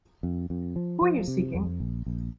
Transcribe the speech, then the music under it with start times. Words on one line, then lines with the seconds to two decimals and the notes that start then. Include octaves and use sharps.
Who are you seeking?
0.23 F2
0.50 F2
0.76 F3
1.01 F3
1.28 C3
1.55 F2
1.80 A#1
2.06 A#1